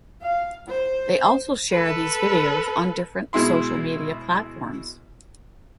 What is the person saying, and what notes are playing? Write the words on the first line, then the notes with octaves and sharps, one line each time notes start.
They also share these videos on different social media platforms.
F5
C5
A4 B4
B2 G#3 E4 C6